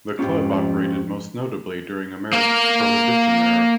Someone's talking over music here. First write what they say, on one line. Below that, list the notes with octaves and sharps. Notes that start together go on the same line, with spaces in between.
The club operated most notably during America's Prohibition Era.
F2 G#2 C#4 F4 G4
A#3 A#4